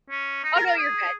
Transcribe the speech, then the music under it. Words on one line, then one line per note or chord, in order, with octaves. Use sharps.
Oh no, you're good.
C#4
D#4
A#4
A#4
G#4